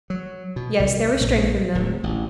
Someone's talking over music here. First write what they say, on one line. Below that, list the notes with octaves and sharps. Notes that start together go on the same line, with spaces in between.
Yes, there was strength in them.
F#3
B2
C2
A#1
D1
A1